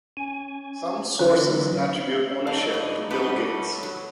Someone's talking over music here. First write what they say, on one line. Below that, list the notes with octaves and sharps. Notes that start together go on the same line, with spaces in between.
Some sources attribute ownership to Bill Gates.
C#4 G#5
D3 E3 F#3 C#4 D#4 B4
C#3 F#3 D#4 F5 A5
G2 D4
G2 B2 G3 A3 B3 A4 B4
A4 C#5
F#3